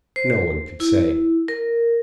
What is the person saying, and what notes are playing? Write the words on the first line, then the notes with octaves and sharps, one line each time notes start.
No one could say.
C5
E4
A#4